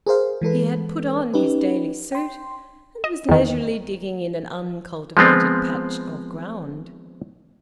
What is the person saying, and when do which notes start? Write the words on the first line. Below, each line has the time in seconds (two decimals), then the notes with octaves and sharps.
He had put on his daily suit, and was leisurely digging in an uncultivated patch of ground.
0.07 G#4 A#4 C5 F5
0.41 E3 G#3 A4 B4
1.34 C#4 D#4 G4 B4
2.12 G5 C6
3.04 D#5
3.29 E2 D#3
5.17 F3 G#3 B3 C4 F4